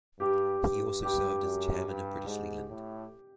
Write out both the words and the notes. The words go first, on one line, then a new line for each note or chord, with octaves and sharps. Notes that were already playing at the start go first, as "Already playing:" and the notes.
He also served as chairman of British Leyland.
G2 G4
G2
G2 G4
F#2
G2
G#2
A2